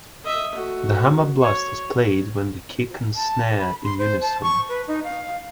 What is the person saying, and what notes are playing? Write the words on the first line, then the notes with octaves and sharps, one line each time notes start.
The hammer blast is played with the kick and snare in unison.
D#5 E5
A3 F#4
C#5
A5
B5
C6
C5
A5
C#6
B4
D#4
F5